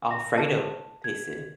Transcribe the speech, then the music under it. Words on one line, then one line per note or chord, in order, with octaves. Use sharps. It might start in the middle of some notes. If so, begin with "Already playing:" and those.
Alfredo tasted.
A#6
A5
G#6